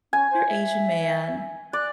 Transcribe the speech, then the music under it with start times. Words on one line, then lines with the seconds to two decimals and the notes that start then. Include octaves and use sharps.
Asian man
0.13 C#4 G#5
0.31 C5
0.48 E5
1.73 D5 F#6